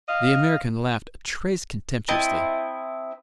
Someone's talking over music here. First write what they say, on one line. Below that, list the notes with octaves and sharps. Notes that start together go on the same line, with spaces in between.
The American laughed a trace contemptuously.
D#5 F5
C4 E4 D#5 A5